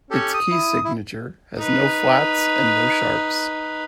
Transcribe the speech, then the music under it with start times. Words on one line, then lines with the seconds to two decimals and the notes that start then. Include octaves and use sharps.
Its key signature has no flats and no sharps.
0.11 C#4 G4 A4
0.34 D#6
0.51 E4
0.85 E4
1.58 D#4 B4